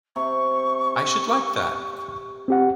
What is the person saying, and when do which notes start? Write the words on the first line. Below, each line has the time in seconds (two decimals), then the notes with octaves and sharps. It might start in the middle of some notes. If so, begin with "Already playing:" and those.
I should like that!
0.16 C3 C#6
2.48 C4 G4 F#5